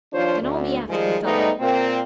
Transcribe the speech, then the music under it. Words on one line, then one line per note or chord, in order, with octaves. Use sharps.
"Then I'll be after the fellow."
D#2 F3 D4 F4 C5 C#5
D2
D#3 F3 G3 G#3
G#2 G3 A3 B3 D#4
A#2 A#3 C4